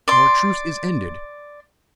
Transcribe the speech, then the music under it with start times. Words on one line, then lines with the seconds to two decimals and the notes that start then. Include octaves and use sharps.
"Our truce is ended."
0.08 D5 C6